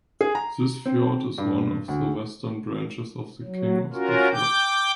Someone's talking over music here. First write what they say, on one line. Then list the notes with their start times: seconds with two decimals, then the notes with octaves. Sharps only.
This fjord is one of the western branches of the King Oscar Fjord.
0.21 G#4
0.35 A#5
0.85 C4
1.38 G2
1.88 D2
3.43 F#3
3.93 C#4 F4 F#4 A#4
4.32 G5 D6 G6